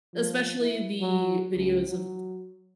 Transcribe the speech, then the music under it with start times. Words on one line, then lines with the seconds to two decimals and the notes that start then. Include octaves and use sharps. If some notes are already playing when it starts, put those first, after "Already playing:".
especially the videos of
0.14 F3
0.59 E4
1.01 F#3
1.56 C#2
1.88 F#3